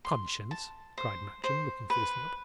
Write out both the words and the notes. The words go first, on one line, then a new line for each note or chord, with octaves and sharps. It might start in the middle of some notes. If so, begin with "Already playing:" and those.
"Conscience!" cried Matcham, looking fiercely up.
C6
A5
C5
C5
B4